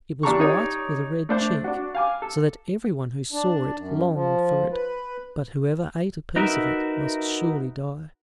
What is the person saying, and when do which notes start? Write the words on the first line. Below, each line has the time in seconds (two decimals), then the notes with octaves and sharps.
It was white with a red cheek, so that every one who saw it longed for it; but whoever ate a piece of it must surely die.
0.23 E2 D4 G4 A4 A#5 C#6
0.40 D#4 G4 C#5 D5
1.29 A3 D4 C5 A5
1.64 D4 F#4
1.95 F5 G#5 D6
2.22 A4
3.32 D4
3.76 F#2
4.13 F3
4.72 B4
6.36 D#4 F#4 A#4 B4 E5